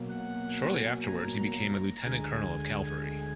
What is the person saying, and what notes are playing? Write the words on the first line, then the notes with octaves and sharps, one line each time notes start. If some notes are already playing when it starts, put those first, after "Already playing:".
Shortly afterwards he became a lieutenant-colonel of cavalry.
Already playing: B2 F#3 A#3
F#5
G#5
A#5
A#5
D2 D3 G#3 G#5